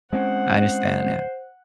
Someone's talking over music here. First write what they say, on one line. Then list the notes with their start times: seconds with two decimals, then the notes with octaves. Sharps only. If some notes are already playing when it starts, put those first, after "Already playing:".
I understand that.
0.13 G#3 C4 C#4 C5 F#5